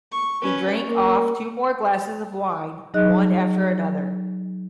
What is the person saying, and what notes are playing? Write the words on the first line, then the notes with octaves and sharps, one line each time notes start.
He drank off two more glasses of wine, one after another.
C#6
C#4 B4
A#3
F#3 D#4 G#4 D#5 F#6